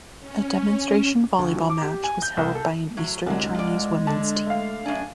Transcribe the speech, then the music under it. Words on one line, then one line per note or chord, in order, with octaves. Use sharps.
A demonstration volleyball match was held by an Eastern Chinese women's team.
C#4
D2
F3
D6
G4
G#5
G6
C2
A4
A2 F#3
C2 D3 F#3 G#3
F4 D5
D3 A5
A3 F5
F#2 D4 G#5